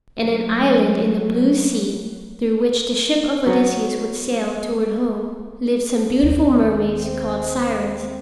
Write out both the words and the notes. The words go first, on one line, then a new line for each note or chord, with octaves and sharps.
In an island in the blue sea through which the ship of Odysseus would sail toward home, lived some beautiful mermaids called Sirens.
F#3 A3
F#3 B3
D#2
C4